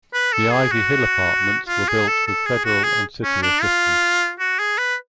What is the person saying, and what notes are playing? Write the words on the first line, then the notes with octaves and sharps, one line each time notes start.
The Ivy Hill Apartments were built with federal and city assistance.
B4
A4
G#4
F#4
F4
G#4
A4
A4
G#4
F#4
G#4
C#4
D4
F4
F#4
G#4
B4